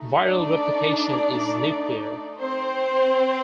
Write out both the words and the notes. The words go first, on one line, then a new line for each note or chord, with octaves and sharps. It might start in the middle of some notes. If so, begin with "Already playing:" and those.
Viral replication is nuclear.
Already playing: A3 D#4
D4 D5
C4 C5